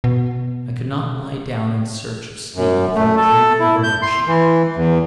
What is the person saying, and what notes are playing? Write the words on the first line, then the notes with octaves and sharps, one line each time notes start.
I could not lie down in search of sleep without dreaming of eruptions.
B2
F#2
A3
A4
E4
G6
C6
E3
E2